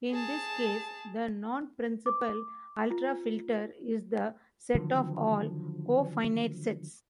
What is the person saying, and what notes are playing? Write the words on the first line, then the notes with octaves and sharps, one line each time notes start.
In this case, the non-principal ultrafilter is the set of all cofinite sets.
G#4 A5
D6
F4
D3 D#3 F3 F#3